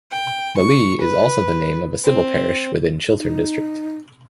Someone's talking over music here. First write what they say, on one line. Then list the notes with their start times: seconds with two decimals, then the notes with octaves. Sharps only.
The Lee is also the name of a civil parish within Chiltern District.
0.12 G5
0.57 C#6
1.01 B4
2.04 C4
3.19 D#4